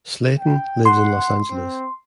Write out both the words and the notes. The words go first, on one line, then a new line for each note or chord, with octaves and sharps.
Slayton lives in Los Angeles.
G5
F#5 C6
C4